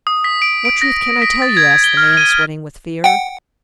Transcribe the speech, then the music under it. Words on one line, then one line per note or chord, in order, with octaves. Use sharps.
"What truth can I tell you?" asked the man, sweating with fear.
D#6
B6
D7
D7
A#6
B6
A6
G#6
G#6
G7
F6
D#7
F#5 G5